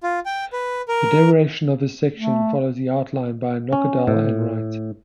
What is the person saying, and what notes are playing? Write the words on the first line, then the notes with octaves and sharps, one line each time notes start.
The derivation of this section follows the outline by Nocedal and Wright.
F4
G5
B4
A#4
A3
C#4
A2